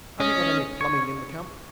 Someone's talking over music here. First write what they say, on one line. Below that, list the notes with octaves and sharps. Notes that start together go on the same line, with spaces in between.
Have you got any plumbing in the camp?
C#4 D#5
C#5